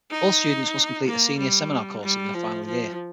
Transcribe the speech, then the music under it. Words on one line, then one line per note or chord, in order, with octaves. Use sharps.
All students must complete a senior seminar course in their final year.
D#4
A#3
G3
G3
F3
F3